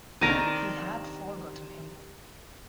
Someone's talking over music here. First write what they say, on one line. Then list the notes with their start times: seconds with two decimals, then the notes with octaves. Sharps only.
He had forgotten him.
0.21 C3 D#3 D4 A#4 A5 A#6 D#7